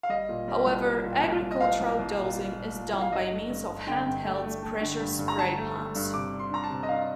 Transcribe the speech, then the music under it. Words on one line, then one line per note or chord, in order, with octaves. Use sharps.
However agricultural dosing is done by means of hand held pressure spray pumps.
F5
G3 D#5
A#2
G3
C2
G3
A#2
C2
C2
D#5
C2 F5
C2
C2
A#2
G3
A#2
A#2
C2
F5
G2 D#5
A3
G2
G2
D3 G5
G2
A3
A3
A3
D3
G2
G2
A#5
D3 A5
A3
A3
G2
C3 D6
D4
C6
D4 A#5
A5
C3
D#5
D4 F5